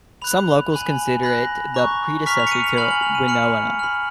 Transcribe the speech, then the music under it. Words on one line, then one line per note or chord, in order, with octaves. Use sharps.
Some locals consider it the predecessor to Winona.
B5 F#6 F7
G#5 B5 F#6
B5 F#6 A#6
A#5 C#6 F#6
A#5 C#6 F6 B6
F7
C#7
D#7
F7
G#5 B5 F6 F#7
F#7
F7
D#7
B5 F6 C#7
B5 F6